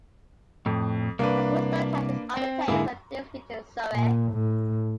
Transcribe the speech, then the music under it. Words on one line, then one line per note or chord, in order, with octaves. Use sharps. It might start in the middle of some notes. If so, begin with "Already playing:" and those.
The school's boathouse is on the Thames at Thames Ditton, Surrey.
F2 A2
C2 A#3 D4 B4
C4
G#2 D3 A#3 E4 G#4
A#2
A2